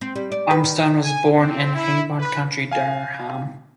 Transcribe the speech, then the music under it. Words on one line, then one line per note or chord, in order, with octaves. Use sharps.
Armstrong was born in Hebburn, County Durham.
C4
G3
D5
B4
D#3
G#5
C4
E4
B4
F5 G#5